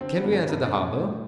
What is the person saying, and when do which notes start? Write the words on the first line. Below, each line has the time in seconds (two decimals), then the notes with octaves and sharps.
"Can we enter the harbour?"
0.01 D3 C4
0.17 B3
0.25 G1
0.33 C#4
0.49 F#1 D4
0.66 D4
0.73 B2
0.81 C#4
0.97 A2